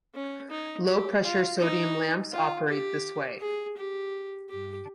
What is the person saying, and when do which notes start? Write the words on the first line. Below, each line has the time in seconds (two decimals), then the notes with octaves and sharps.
Low pressure sodium lamps operate this way.
0.15 C#4
0.51 D#4
0.87 G4
1.23 F4
1.59 D#4
2.32 F4
2.68 G4
3.41 G#4
3.77 G4
4.49 G4